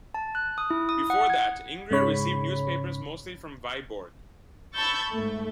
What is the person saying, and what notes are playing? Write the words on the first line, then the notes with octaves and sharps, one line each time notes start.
Before that Ingria received newspapers mostly from Viborg.
A5
F#6
D#6
E4
D#6
F#5
G#6
G#2 C#3 C#5 B5
A5 B5 C#6 E6 G6 A6
G#2 A3